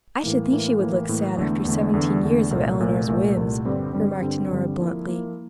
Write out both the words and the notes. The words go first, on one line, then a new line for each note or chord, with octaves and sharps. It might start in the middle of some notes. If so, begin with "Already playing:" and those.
"I should think she would look sad after seventeen years of Eleanor's whims," remarked Nora bluntly.
A2 E3 A#3
A2 E3 A#3
A2 E3 A#3
A2 E3 A#3
E2 D3 A3
E2 D3 A3
E2 D3 A3
E2 D3 A3
C2 A#2 A3
C2 A#2 A3
C2 A#2 A3
C2 A#2 A3
G2 D3 G3 C4
G2 D3 G3 C4
G2 D3 G3 C4
G2 D3 G3 C4
F3 A#3 E4
F3 A#3 E4